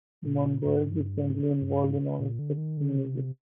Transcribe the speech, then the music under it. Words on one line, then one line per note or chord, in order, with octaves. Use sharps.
Monroig is currently involved in all of the aspects of music.
A#2
G#2
G2
G#2
G2
G#2
A#2
D3
D#3
D3
C3